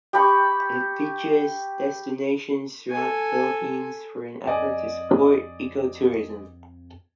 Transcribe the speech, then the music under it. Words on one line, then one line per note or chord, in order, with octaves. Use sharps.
It features destinations throughout the Philippines for an effort to support ecotourism.
G4 B5 C#6
A4 G#5
F2 D5 D#5 G#5